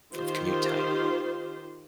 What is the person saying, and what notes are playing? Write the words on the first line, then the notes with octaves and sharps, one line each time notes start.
f of commute time,
D#3 F4 G4 C5